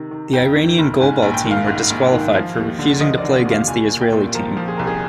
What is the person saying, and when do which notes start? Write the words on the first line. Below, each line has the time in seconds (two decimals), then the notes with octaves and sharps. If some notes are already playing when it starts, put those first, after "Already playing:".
The Iranian goalball team were disqualified for refusing to play against the Israeli team.
Already playing: C3 D#3
0.11 D#3
0.33 F2 G5
0.56 D#3
0.79 G1
1.00 G#2 G#5
1.22 A#1
1.34 G5
1.46 D#3
1.51 F5
1.67 G#2
1.90 A#1
2.12 D#3
2.34 F3
2.56 D#2
2.79 D3
3.01 F3 D#5
3.18 D5
3.24 D3
3.45 D#2
3.51 F5
3.68 C2 G#5
3.90 A#2
4.01 G5
4.13 A#2
4.34 F3 A#4
4.57 F3
4.68 G#4
4.77 C2 A#4
4.87 G#4